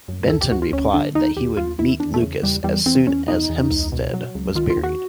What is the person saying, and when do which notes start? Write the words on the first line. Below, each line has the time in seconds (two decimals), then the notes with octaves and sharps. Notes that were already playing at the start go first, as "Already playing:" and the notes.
Benton replied that he would meet Lucas as soon as Hempstead was buried.
0.08 F#2
0.29 D2 A4
0.41 G4
0.51 D2 F#4
0.62 F4
0.72 D2 C#4
0.94 D3 D4
1.15 D#2 D#4
1.36 D#2 G4
1.57 D#2 F4
1.79 D#2 E4
2.00 E2 D4
2.14 A3
2.22 C#3
2.43 E2 G3
2.64 E2 G3
2.86 E2 C4
3.07 E2 C#4
3.28 B2 D#4
3.49 E2
3.71 C#2
3.92 B2
4.14 F#3
4.35 C#2
4.55 D#3 F4
4.70 F4
4.77 D#2
4.83 F#4